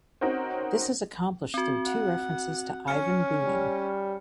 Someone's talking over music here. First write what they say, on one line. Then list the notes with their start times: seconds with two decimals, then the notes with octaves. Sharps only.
This is accomplished through two references to Ivan Bunin.
0.21 C4 C#4 D#4 F#4 A#4 C5
1.54 C4 F#4
1.86 F#5
2.88 C#4 F6 C#7
3.44 G3